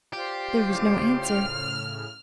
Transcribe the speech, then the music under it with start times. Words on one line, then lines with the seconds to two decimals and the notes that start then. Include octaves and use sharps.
There was no answer.
0.13 F4 G4 C5 D5
0.70 A2 C#3
1.23 F6